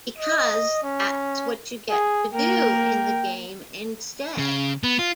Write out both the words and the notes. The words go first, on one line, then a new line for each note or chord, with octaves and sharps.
Because that's what you get to do in the game instead.
D#5
C#4
G#4
A#3 A#4 G5
C#3
B3
F4